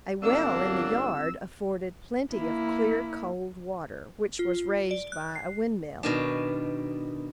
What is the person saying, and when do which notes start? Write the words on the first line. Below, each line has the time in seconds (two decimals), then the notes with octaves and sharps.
A well in the yard afforded plenty of clear, cold water, which was raised by a windmill.
0.22 G1 F#3 A#3 C4 D4 E6
2.33 A#3 E4
4.39 F4
4.91 D5
5.12 F#6
5.35 C7
6.03 B2 D#3 D4